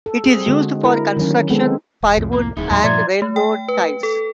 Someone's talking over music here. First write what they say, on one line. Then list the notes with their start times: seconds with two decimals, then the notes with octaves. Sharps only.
It is used for construction, firewood, and railroad ties.
0.06 A4
0.24 C4 G#4
0.46 D3 G#3 F#4
0.84 E4 A#4
1.17 D#3 F#3 C#4
1.50 G#3 B3 C4 A4
2.02 E1
2.17 C2 F2 A2
2.33 A#3
2.57 D1 D#4 E4 G#4
2.70 D#2 A2 F#3 A#5 C6
2.84 G2 A#2 F3 D5 E5 G#6
3.22 A3
3.36 G5
3.68 B4
4.03 A4